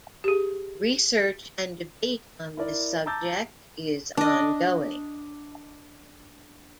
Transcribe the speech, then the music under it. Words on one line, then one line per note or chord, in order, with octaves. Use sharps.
Research and debate on this subject is ongoing.
G4 G#4
E4 A#4 D5
A5 A#5 D6 E6 G6 A6
D4 D#5